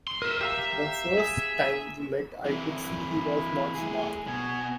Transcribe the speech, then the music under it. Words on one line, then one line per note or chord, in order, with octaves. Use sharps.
The first time we met I could see he was not smart.
C6
A#4 D#5 E5
G4 E5 F5 A#5
G#4
C3 E3 E4
A3 G#4
B2 G#5